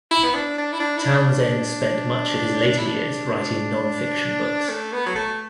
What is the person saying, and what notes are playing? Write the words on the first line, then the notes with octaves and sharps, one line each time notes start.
Townsend spent much of his later years writing non-fiction books.
E4
B3
D4
D4
E4
D4
E4
D4
E4
D4
A3
B3
F#3
A3